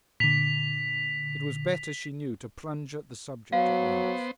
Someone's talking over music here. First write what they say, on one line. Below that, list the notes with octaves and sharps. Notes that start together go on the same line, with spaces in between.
It was better, she knew, to plunge at the subject at once.
A#2 D3 B6 F7
F#3 B3 C5 F5